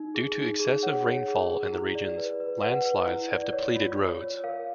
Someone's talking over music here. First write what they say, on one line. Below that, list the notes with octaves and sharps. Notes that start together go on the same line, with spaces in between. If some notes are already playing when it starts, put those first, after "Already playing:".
Due to excessive rainfall in the regions, land slides have depleted roads.
Already playing: D#4
G#4
D#4
G#4
C#5 F#5
C#5
G#4
G#4
E4
D5
B4
B4
B4 F#5
B4
E4
D5
C#5
F4
C#5
C#5
A#4 F5